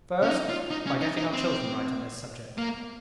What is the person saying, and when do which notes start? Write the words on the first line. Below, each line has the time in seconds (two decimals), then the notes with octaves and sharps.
First, by getting our children right on this subject.
0.23 C#4
0.29 D#4
0.49 F4
0.71 D#4
0.86 C#4
1.01 D#4
1.17 D#4
1.33 C4
2.58 A#3